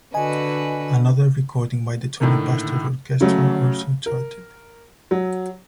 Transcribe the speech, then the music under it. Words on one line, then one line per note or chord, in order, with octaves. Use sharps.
Another recording by the Tony Pastor orchestra also charted.
D3 F#4 B4 D#5 G#5
A2 D3 D#3 A3 A#3
C#3 F#3 A3
A#4
F#3